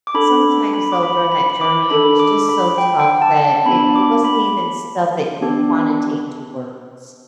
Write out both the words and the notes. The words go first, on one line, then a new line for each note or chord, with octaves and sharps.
sometimes, though, during that journey, it was just so tough that it it wasn't even stuff that you could quantitate into words
D6
D4 A4 B5
B5
D6
B5
B5
B5
D6
D4 A4 B5
D6
B5
G5
G5
A5
A5
B3 D4 G4 B5
D6
B5
B3 D4 G4